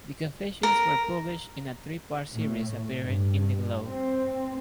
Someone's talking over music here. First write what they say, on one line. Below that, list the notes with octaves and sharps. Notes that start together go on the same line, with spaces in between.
The confessions were published in a three-part series appearing in the "Globe".
A#4
A2
G2
C4